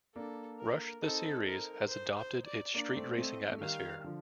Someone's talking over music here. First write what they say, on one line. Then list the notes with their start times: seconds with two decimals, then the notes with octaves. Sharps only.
Rush the series has adopted its street racing atmosphere.
0.15 A#3 D4 A4
0.59 A#4
1.02 C4 D#4 A4
1.45 A#4
1.89 C5
2.17 C5
2.45 D5
2.74 A#3 D4 D5
2.96 A3 C4
3.18 A3 C4 D#5
3.52 A3
3.60 D#3 G3 F5
4.04 D3 F3